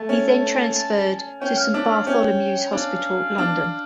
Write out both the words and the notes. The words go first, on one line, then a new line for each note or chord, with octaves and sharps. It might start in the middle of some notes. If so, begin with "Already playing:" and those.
He then transferred to Saint Bartholomew's Hospital, London.
Already playing: A3 A5
C#4
C#4 G5
F5
D4 E5
F5
C#4 G5
D4 F5
D4